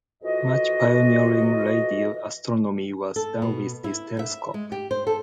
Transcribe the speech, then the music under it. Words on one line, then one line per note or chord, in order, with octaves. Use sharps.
Much pioneering radio astronomy was done with this telescope.
F2 E3 F4 F#4 D#5
A4
B2
E4
E5
G#3
G4
C5
A4